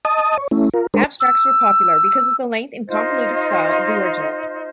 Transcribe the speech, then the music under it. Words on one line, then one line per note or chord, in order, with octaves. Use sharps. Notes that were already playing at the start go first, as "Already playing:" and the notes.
Abstracts were popular because of the length and convoluted style of the original.
D#5 A5 D#6
C#5
A3 C#4 E4
F4 A#4
G#3 D4 A#4 C5
E6
D#4 F4 C5 D#5